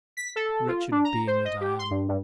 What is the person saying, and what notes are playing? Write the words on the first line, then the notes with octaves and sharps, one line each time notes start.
Wretched being that I am!
B6
A4
F4
D4
A#5
C5
D#5
G4
C6
G2
G2